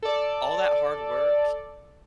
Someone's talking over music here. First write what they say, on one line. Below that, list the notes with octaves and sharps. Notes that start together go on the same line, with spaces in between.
all that hard work,
A4 D5